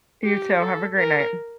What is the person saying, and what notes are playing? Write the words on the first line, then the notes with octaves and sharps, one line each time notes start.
You, too, have a great night.
G4
A4
A#4